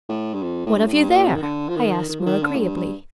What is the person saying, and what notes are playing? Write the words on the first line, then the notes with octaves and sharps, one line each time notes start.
"What have you there?" I asked more agreeably.
A2
G2
F2
A2
G2
A2
G2
A#2
C3
D#3
D3
F3
D#3
D#3
F3
D#3
D3
A2
G2
G2